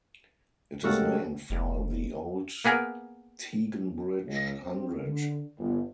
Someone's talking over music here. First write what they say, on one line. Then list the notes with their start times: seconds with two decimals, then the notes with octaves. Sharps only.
It is named for the old Teignbridge hundred.
0.84 G#2 C#3 G#3 A3 F#4 G4 A4 A#4
1.50 F1
2.65 A#3 B3 G#4 A#4
4.26 C#2
4.60 C4
5.06 D3
5.59 G1